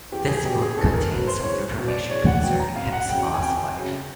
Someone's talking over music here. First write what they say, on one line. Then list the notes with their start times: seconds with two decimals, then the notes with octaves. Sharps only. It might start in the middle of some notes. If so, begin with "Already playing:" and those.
This book contains some information concerning Hephzibah's life.
0.12 E2 G4
0.28 G#4
0.44 B2 F#3 G4
0.62 G#4
0.77 E2 A4
0.94 A#4
1.10 B2 F#3 B4
1.27 C5
1.44 E2 C#5
1.78 B2 F#3
1.88 D5
2.10 E2 C#5
2.26 F#5
2.43 B2 F#3 G5
2.60 A#5
2.76 F2 F5
2.92 F#5
3.09 C#3 F#3 G5
3.25 G5
3.34 G#5
3.42 F2 G5
3.76 C#3 F#3